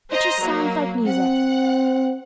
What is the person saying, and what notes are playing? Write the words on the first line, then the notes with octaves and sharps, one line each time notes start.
It just sounds like music.
C5 D#5 A#5
F#3 A#3
C4 F#5